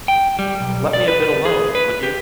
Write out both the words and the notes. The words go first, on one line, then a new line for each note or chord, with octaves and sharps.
Let me a bit alone, would you?
G5
G3
B1
D5
B4
G#4
B4
G4